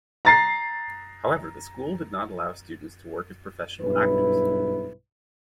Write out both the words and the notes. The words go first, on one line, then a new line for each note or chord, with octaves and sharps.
However, the school did not allow students to work as professional actors.
A#5 A6 C7
B1 G2 E4 B4